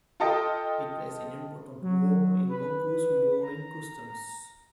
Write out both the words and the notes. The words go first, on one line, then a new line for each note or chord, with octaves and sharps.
It plays an important role in Manchu's mourning customs.
F4 A4 D#5 G5
F#3
B4
A#5